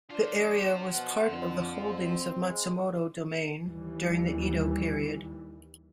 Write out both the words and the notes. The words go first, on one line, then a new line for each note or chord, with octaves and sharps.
The area was part of the holdings of Matsumoto Domain during the Edo period.
D4 F4 C5
B2 F#5
F2 D3
C4
G#3
D#2 E3 G3